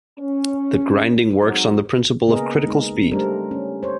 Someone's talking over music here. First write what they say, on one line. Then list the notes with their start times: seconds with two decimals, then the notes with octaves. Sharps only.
The grinding works on the principle of critical speed.
0.19 C#4
1.42 F#3 G#3 C4 D#4 F#4
2.28 C#3 A#3 B3 G#4 A#4 D#5
2.65 G#3 D#4
3.11 G3 A3 C4 D4 A#4
3.51 C#4
3.83 C5 C#5